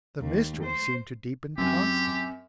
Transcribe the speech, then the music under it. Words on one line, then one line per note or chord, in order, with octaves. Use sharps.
The mystery seemed to deepen constantly.
D#2
C5
F#2 C4 G4